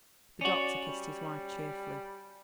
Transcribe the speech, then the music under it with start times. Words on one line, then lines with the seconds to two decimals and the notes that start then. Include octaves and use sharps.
The doctor kissed his wife cheerfully.
0.41 C#4 F#4 D5
0.81 G3